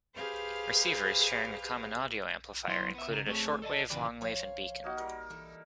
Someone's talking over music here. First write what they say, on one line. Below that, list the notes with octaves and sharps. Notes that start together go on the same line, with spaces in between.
Receivers, sharing a common audio amplifier, included a short wave, long wave and beacon.
G4 G#4 B4 C5 F5 F6
F#3 B3 E4 C5 C6
B3 E5
C#3 A#4
A3 B3 C4 G#4 A4 C#5
A4 D5 D#5 A5
A#2 C#3 E3 G4 B4 D5
F3 C#5 F5
A#3 D#4 F#4
G3 A#4
E3 A4